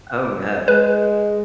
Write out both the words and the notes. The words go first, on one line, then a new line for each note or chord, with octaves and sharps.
Oh, no.
G#3 B4